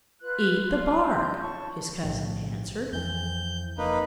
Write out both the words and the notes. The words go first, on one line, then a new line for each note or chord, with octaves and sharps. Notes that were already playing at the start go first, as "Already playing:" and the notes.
"Eat the bark!" his cousin answered.
F4 B4 F#6
F4
C6 G6
C#5 A5 C#6
B1 A2 F3
F2 E3 G6
F1 F2 A#3 D#4 B4